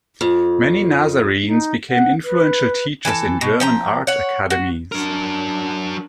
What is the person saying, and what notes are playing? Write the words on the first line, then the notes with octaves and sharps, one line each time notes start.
Many Nazarenes became influential teachers in German art academies.
F2
D#4
F#5
B4
E3 A4 B4 A5
B2
F3 G5 A#5
C#5 F#5
F#4
F#3 D4 A#4